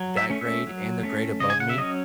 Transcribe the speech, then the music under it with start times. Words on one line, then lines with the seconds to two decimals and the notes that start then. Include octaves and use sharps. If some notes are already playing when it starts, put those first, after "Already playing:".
that grade and the grade above me,
Already playing: F#3
0.17 E5
0.30 A3 C#4
0.41 E5
0.67 F#3
1.03 A3 C#4
1.40 C#3 D#5
1.50 G#5
1.60 F#5
1.69 E5
1.78 F#3 C#4 D#5